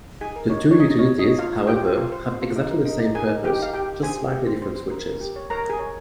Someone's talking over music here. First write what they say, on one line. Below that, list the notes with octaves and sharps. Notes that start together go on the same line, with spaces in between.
The two utilities, however, have exactly the same purpose, just slightly different switches.
D#4 G#4 G#5
A#4
D#4 C#5
D#4
C#5
D#4 D#5
D#4 C#5
D#4
C#5 D#5
F4 F5
F4
F4 G4 G5
F4
F4
C5
C5
F4
D#4
A#4
D#4
D#4
G#4 A#4 G#5
D#4
D#4 G4 G5
D#4 F5
G4 G5
G4
G#4 C5 G#5
G4
G4
C5
C5
C5
A#4
A#4
G4
C#5
A#4 C#5 A#5
G#4 A#4 G#5
C#5